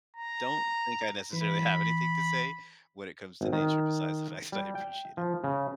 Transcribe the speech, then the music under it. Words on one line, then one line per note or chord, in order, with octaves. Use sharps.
don't think I necessarily have anything to say when it comes to nature besides the fact that I appreciate it.
A#5
E3 B5
G#1
D#3
G3
G5
F3
C#3